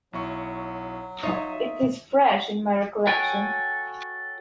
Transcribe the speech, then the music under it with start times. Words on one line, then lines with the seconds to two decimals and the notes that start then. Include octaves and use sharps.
It is fresh in my recollection.
0.13 B1 F#3 E4 C#6
1.23 D#4 F4 C#5 E5 D#6
3.07 F#4 A4 C#5 G5 G#5